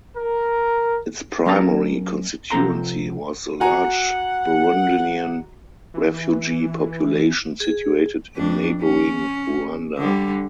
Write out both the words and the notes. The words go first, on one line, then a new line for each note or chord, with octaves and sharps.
Its primary constituency was the large Burundian refugee population situated in neighboring Rwanda.
A#4
F#3 A#3 C#4 A#4 A5
C3 F3 C4 A4 A#5 C6
F#4 F#5 G#5 A#5
E3
G#4
F2 D4
C#4
D3 G3